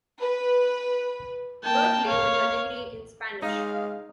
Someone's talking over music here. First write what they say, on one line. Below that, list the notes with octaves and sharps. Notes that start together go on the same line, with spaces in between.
Berkeley with a degree in Spanish.
B4
A#3 G5 A5
C#5 F5
G#3 D#4 F5